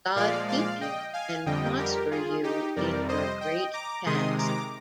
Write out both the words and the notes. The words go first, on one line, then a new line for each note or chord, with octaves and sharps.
God keep you and prosper you in your great task.
A#2 F3 G#3 D5 F5
D5 F5
D#5 G5
F5 G#5
F2 D3 G3 D#5 G5
G4 A#4
F4 G#4
D#4 G4
F2 C3 G3 A#4 D5
C5 D#5
D#5 G5
A#5 D6
C3 D#3 G#3 C6 D#6
A#5 D6